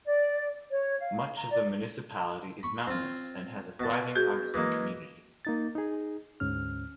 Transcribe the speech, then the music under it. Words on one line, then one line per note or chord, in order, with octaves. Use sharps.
Much of the municipality is mountainous and has a thriving artisan community.
D5
C#5
F5
A#5
D5
B5 C#6
C4 F4
B2 A5
F#4 G#4 G6
E3 G#3 A#3
A#3 D#4 A6
D#4 G#4
D2 G#2 C#4 F6